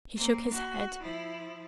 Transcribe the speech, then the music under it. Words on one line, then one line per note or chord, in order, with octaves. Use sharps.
He shook his head.
A#3 C4
F#4
F3 E4